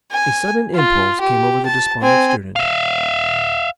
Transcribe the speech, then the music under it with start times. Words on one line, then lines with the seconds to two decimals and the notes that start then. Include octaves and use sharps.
A sudden impulse came over the despondent student.
0.12 G#5
0.75 F4
1.20 G4
1.66 A5
2.02 C4 G#5
2.56 E5 F5